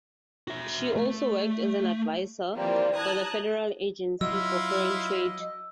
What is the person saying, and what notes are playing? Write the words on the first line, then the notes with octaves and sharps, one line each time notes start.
She also worked as an advisor for the Federal Agency for Foreign Trade.
F#4 E5
A3
E3 F3 G3 A#3 C4 F4
A5 A#5 D#6 F#6 G#6
F#3 E4 F4 D#5 E6